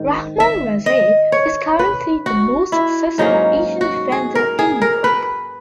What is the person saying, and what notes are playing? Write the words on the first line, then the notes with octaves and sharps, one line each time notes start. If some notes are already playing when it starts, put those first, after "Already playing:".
Rahman Rezaei is currently the most successful Asian defender in Europe.
Already playing: G#2 D#3
E5
D#5
C#5
B4
F#4
E4
G#2 F#3 A#3 C#4 D#4
F#4
G#4
A#4
G#4
A#4
B4